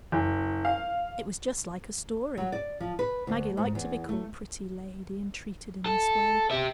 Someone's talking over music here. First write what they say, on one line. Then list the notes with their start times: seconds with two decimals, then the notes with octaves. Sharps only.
It was just like a story; Maggie liked to be called pretty lady and treated in this way.
0.12 F#1
0.65 F5
2.37 F#3
2.52 D5
2.80 F3
2.99 B4
3.27 D2
3.57 G#2
3.75 E2
4.09 A3
5.86 A4
6.51 G4 E5